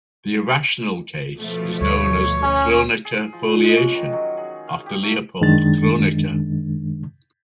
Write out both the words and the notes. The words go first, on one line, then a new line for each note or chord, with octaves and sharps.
The irrational case is known as the Kronecker foliation, after Leopold Kronecker.
B2 F3 A3
D2 C#5
C#4
G#4
F3
A#2
G#3
C#4
D#3
F#3
G#4
F5
G4
A3
F#2 D#3 G#3 D4 A6